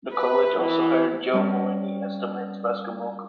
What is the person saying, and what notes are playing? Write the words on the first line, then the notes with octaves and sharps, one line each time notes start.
The college also hired Joe Mullaney as the men's basketball coach.
B4
E3
G3 C4 C#4 A#4